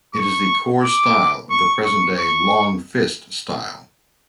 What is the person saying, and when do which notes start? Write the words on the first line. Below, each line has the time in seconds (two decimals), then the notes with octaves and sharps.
It is the core style of the present-day Long Fist style.
0.14 C#6
0.83 D6
1.50 C#6
1.84 C#6
2.19 C#6